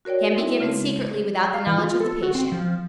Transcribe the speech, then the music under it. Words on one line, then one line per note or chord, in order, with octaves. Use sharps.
Can be given Secretly without the knowledge of the patient.
F#4 A#4 C#5 D5 G5
C4 D#4 E4 A#4 E5 G5
C#3 G#3 A3 C4
F5
E3
F4
A4
F#4
C4
F3